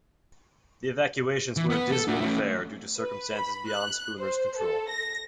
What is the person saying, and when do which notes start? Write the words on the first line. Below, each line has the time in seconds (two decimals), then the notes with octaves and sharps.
The evacuations were a dismal affair due to circumstances beyond Spooner's control.
1.57 E3
1.70 B3 B4
1.92 A4
2.08 D4 F#4
2.21 A3 C#4
2.97 B4
3.34 B5
3.67 F#6
4.19 C5
4.57 A4
4.90 A#6